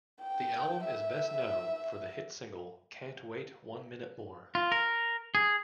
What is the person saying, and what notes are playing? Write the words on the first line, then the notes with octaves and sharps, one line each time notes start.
The album is best known for the hit single "Can't Wait One Minute More".
G5
E5
F4
A#4
G#4